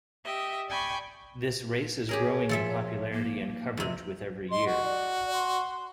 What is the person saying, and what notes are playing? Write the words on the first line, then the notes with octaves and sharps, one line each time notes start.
This race is growing in popularity and coverage with every year.
G4 D#5 E5 G5
D5 G5 G#5 B5 C#6
G4 G#4 A#4 C#5
F3 A4 E5
A#3
F2 C3
D#5 C6
F#4
D5
C6